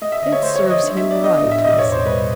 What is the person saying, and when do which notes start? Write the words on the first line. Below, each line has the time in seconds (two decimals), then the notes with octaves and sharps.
"It serves him right," he said.
0.02 A3 D#5
0.12 E5
0.22 D3 D#5
0.32 C#5
0.43 A3 C5
0.56 C#5
0.63 F3
0.70 D#5
0.84 D4
0.97 E5
1.04 B3
1.11 D5
1.24 D4 D#5
1.38 D#5
1.44 A2
1.51 E5
1.64 B2 D#5
1.72 D5
1.78 C#5
1.85 E2
1.92 C5
2.06 G3 B4